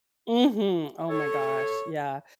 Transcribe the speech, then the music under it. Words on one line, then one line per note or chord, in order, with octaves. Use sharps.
Mhm. Oh my gosh. Yeah.
A4 C#5